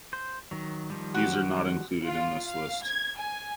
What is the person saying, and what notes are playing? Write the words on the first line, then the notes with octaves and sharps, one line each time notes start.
These are not included in this list.
C5
D#3 F#3
D#3 F3 G3
F#4 G4
F4
F5
G#6
G#5